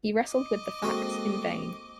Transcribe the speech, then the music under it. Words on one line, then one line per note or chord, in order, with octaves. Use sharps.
He wrestled with the facts in vain.
D#5 D6
G#3 A#3 C4 F#4 A4